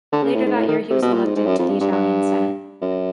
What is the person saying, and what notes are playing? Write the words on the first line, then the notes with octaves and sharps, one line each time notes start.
Later that year he was elected to the Italian Senate.
D3
C#3
A2
G#2
A2
D#3
C3
B2
A#2
G#2
G#2
F#2
F2
G2
G2
G2
F#2